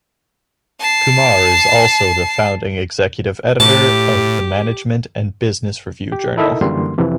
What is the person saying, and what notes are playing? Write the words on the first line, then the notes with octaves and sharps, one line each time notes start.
Kumar is also the Founding Executive Editor of the Management and Business Review journal.
A5 C7
A2 G4 A5
G4
D#4 E4 A4 A#4 D#5 E5
F#2 D3 E3 G3 A#3 C6
F2 C3 E3 F3